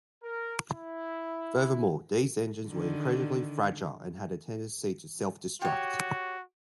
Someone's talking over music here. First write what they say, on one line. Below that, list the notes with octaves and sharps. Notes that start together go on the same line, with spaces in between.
Furthermore, these engines were incredibly fragile and had a tendency to self-destruct.
A#4
E4
D3 D#3
F#4 G4 C#5